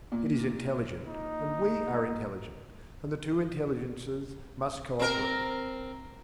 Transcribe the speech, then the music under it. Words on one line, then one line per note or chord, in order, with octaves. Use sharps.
It is intelligent and we are intelligent, and the two intelligences must co-operate.
A#2
D#4
C4 A#4